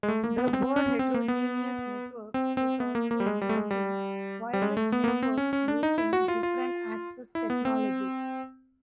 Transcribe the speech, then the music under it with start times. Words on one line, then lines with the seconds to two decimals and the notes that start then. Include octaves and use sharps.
The word heterogeneous network is also used in wireless networks using different access technologies.
0.03 G#3
0.08 A3
0.24 A#3
0.38 B3
0.53 C4
0.76 C#4
0.99 C4
1.14 A#3
1.28 B3
2.34 C4
2.57 C4
2.80 B3
2.95 A#3
3.11 A#3
3.20 G3
3.26 G#3
3.41 G3
3.49 A3
3.56 G#3
3.71 G3
4.53 G3
4.62 G#3
4.77 A3
4.92 B3
5.04 A#3
5.08 B3
5.23 C4
5.37 C#4
5.53 C#4
5.68 D4
5.83 D#4
5.98 E4
6.13 F#4
6.28 F4
6.43 F4
7.35 E4
7.50 B3
7.65 C4